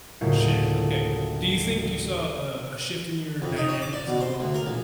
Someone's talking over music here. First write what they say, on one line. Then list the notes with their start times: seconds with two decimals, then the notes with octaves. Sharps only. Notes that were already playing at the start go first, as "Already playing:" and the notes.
shift, okay. Do you think you saw, uh, a shift in your dynamics, as well?
0.21 F#1 D2 A2 G#3 F4 G6
3.42 F2
3.57 D#4
3.69 C#5
3.82 D6
3.93 D5
4.07 B2
4.21 C5
4.40 D2
4.54 A#4
4.66 A#1